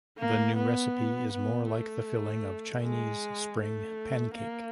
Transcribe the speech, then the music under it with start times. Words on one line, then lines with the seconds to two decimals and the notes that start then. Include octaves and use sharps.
The new recipe is more like the filling of Chinese Spring pancake.
0.19 A#3
0.56 B3
1.32 B3
1.70 A3
2.84 G#3
3.60 A3
4.35 A#3